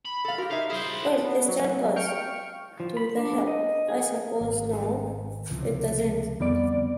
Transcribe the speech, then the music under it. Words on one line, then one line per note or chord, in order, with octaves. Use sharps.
Well, this turn goes to the hill, I suppose—no, it doesn’t!
B5
A4 F5
F#4 G4 A#4
D#4 C#5 E5 F5
E4 G#4 C5 D#6
B3
F#3
F5 G5 C#6 F6 C#7 D7
F3
B5
D4
D#5
G#4
G#1
C#2 C3 F3
F2 D3 G3 B3 C4 D5